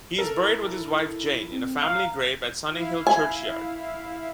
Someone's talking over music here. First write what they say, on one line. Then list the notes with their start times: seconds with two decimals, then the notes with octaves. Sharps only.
He is buried with his wife Jane in a family grave at Sunninghill churchyard.
0.19 A4 A#4
0.40 E4
1.51 C4
1.82 F5 A#5
2.72 E4 F5
3.07 G#5